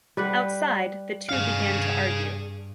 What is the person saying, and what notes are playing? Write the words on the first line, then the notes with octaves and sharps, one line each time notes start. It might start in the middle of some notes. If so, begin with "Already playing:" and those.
Outside, the two began to argue.
G3 B4 F#5
G2 G#4 F5